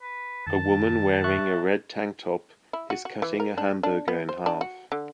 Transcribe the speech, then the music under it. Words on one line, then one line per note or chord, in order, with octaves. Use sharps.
A woman wearing a red tank top is cutting a hamburger in half.
B4
F#2 D#3 A5
E5 C#6 F#6
E4
F#4
F#4
E3
A#4
D4
D4
B3
C5
D4
F#4
D3